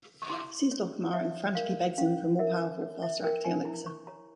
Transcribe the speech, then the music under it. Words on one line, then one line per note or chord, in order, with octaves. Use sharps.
He sees Dulcamara and frantically begs him for a more powerful, faster-acting elixir.
C#6
E4 C6
C#5
C#5 E5
A#4 F5
C#4 F5
A#4 E5
C#5
E5
A#4 G5
G#5
E4 A#5
C#6
C#5 A#5